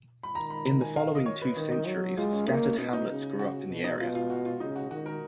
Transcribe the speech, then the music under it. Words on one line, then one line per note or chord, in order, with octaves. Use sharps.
In the following two centuries, scattered hamlets grew up in the area.
B5
D#3 A#5
B5
A#5
G#5
F5
D#5
C#5
B4
D#3 D#4
D#4
F#3
G#3 F4
C#4
A#3 D#4
C#4
B2 D#4
D#4
C#3
F#4
B2
D#4
B2 F4
F4
F#4
F4
C#3 D#4
F#4
D#3 F#4
A#4